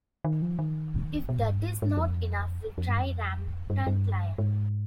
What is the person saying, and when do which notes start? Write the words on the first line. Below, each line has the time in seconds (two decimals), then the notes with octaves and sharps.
If that is not enough will try Rampant Lion.
0.24 D#3
0.42 F3
0.59 D#3
1.29 B2
1.39 G#2
1.49 G2
1.59 G#2
1.82 G#2
1.90 G2
1.97 F2
2.78 F2
2.88 G2
3.01 F2
3.70 G2
3.87 G2
4.38 G#2